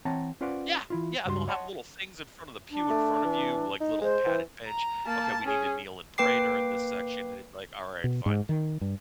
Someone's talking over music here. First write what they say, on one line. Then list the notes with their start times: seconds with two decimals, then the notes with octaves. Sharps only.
Yeah, yeah, and they'll have little things in front of the pew in front of you, like little padded bench, okay, we need to kneel and pray during this section, and it's like, "Alright, fine."
0.05 E3 C4 C#5 F#5 A5 A#5
0.41 C#4 F4 B4 C5 D5 F#5
0.90 E3 E4 F4
1.26 C#2 G2 G3 F#4 C6
1.48 C#5 D#5 F#5 A5 C6
2.70 D4
2.90 A3
3.25 E3
3.81 D#4
4.01 G#3 C5
4.26 E3
4.67 A#5
5.06 A#3 A5
5.44 C#4 G#4
6.18 A#3 B4 G5 D6 C7
8.04 B2
8.26 G#2
8.49 D#3
8.81 G2